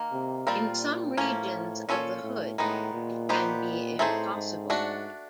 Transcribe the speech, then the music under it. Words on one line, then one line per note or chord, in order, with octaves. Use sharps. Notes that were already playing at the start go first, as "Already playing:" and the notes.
In some regions of the hood it can be impossible.
Already playing: D#3 A#3
C3
A#2 G3 C4 F4 A#4
A2 F3 A#3 C#4
A#2 C#4 F4 A4 C#5
A2
A2 D#3 G#3 B3 D#4
A#2
B3 D#4 G4 C5
A2 A3 C4 D#4 G#4 C5
G#2
A3 D4 F#4